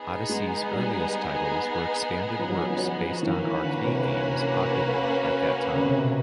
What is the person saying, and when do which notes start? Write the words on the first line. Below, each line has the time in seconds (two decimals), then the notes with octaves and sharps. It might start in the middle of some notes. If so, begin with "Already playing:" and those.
Odyssey's earliest titles were expanded works based on arcade games popular at that time.
Already playing: B3 D#4 G#4
0.29 G#3
0.71 G3
2.39 F3
2.47 F#3
2.54 F3
2.62 F#3
2.70 F3
2.77 F#3
2.86 F3
2.92 F#3
3.01 F3
3.23 E3 A#3 C#4 F#4 B4
3.39 D#3
3.44 E3
3.64 D3
3.85 C3
5.74 C#3
5.86 C3
5.98 B2